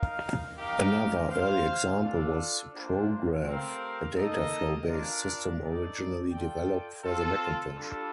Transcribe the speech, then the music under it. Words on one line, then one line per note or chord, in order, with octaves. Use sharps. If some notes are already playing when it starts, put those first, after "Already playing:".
Another early example was Prograph, a dataflow-based system originally developed for the Macintosh.
Already playing: D#4 A#4 F5
D#4 G4 A#4 F5
F4 C5 F5
D4 F4 A4 D5
A#3 D4 F4 C5
A3 C4 G4 A#4 F5
A#3 D#4 A4 D#5
D4 F4 A#4 D5 F5
D#4 A4 D5
F4 A4 D5 G5
C4 F4 A4
G3 D4 F4 A4